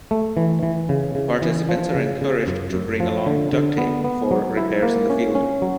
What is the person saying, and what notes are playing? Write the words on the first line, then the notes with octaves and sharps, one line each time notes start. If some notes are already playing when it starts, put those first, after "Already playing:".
Participants are encouraged to bring along duct tape for "repairs in the field".
A3
E3
E3
C#3
C#3
E3
F3
C#3
C#3
F#2
F#2
F3
D3
D3
B3
B3
F#3
E4
A#3
C#4
C#4
F#3